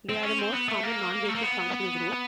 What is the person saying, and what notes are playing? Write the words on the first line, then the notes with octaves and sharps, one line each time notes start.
They are the most common non-basic functional group.
C4
C#4
C4
B3
A3
A#3
A3
A#3
B3